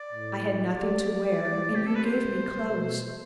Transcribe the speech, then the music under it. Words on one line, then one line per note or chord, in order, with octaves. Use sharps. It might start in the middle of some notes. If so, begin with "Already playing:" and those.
I had nothing to wear, and you gave me clothes.
Already playing: D5
A2
G3 D5
G3
E3
C3 G4
A4
B4
C5
B2